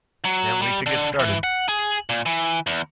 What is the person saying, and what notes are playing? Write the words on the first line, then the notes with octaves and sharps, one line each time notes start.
Can't wait to get started!'.
F#3
G3
D3
E3
F#5
G#4
A#2
E3
E2